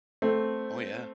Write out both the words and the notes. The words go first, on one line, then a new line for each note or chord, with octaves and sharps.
Oh, yeah.
A3 C4